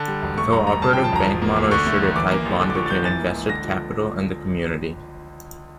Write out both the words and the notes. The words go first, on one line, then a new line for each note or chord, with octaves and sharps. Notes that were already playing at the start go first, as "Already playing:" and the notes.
The cooperative bank model assured a tight bond between invested capital and the community.
Already playing: D3 A5
G3
E1
A3 C#6
G2 A#5
G2 A#5
C#3 A5
G5
F3
A5
E1 A#5
F3
A#3
D2
D3 C#6
A3
A1
E3 D6
A#3
A1
D3
D6
F3 C#6
A6
G1 G6
E3 A6
A#3
C#2
D3 A#6
F3